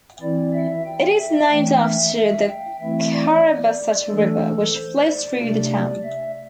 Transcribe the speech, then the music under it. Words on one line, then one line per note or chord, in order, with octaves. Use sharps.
It is named after the Carrabassett River, which flows through the town.
E3 C4 E4 D5
E5
G5
E5
E3 A3 D4 G5
E5
E5
G5
E3 A3 C4 E4 E5
D5
E3 A3 D4 A4
A4
C5
D5
C3 A3 D4
E5